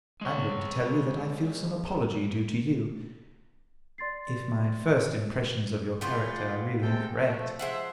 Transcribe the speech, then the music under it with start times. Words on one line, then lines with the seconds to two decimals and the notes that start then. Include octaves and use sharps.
I am going to tell you that I feel some apology due to you, if my first impressions of your character are really incorrect.
0.21 G#3 C#5
3.98 D5 C6 A6 C7
6.01 B3 F4 G#4 D5 G5
6.82 C3 G#3 A4 G5
7.17 F3 A3
7.59 G#3 C5 E5 F#5